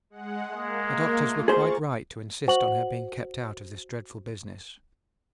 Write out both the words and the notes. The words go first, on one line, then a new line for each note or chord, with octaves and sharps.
The doctors were quite right to insist on her being kept out of this dreadful business.
G#3 F#5
G#3 A#3
A3 F4
G#4 C5 A#5 C#6 A6
F#4 C5 F#7